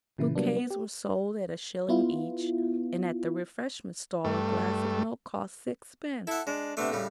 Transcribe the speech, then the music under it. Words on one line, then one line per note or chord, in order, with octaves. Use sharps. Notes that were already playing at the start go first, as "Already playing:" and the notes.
Bouquets were sold at a shilling each, and at the refreshment stall a glass of milk cost sixpence.
A#2 C#3 E3 E4
C3 F#3 G3 A#3 B3 D4
B3
G4
B3 E4 F4
G2 A3
E4 A4 F#5
G#3 D4
C3 A3 B3 D4
A2 C#3 G3